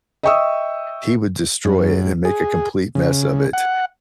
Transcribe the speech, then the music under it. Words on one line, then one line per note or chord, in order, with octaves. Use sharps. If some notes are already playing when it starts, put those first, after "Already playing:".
he would destroy it and make a complete mess of it.
D#5 E5 G5 C#6 D#6 E6
F#2
G#4
C#3
F#5